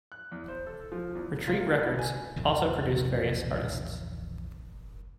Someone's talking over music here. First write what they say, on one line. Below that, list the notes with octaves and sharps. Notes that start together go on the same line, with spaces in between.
Retreat Records also produced various artists.
F#6
E2
C5
A4
F3
E2
A#2
E4
G#5
A#1 E2 G2 C#3